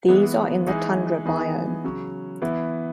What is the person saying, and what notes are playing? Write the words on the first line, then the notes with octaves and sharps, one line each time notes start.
These are in the tundra biome.
E3 G#3 B3
E3 G#3 D#4 G#4
E3 B3 D#4 G#4
C#3 F#3 C#4
E3 B3 E4